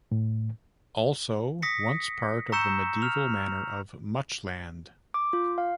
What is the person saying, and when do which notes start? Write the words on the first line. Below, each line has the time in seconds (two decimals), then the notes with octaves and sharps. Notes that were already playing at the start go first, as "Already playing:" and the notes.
Also once part of the medieval manor of Muchland.
0.12 A2
1.62 D#6 A#6 B6 C#7
2.52 A#5 C#6 E6 G6 C#7 E7
3.02 F6 F7
5.14 D6
5.33 F4
5.58 F5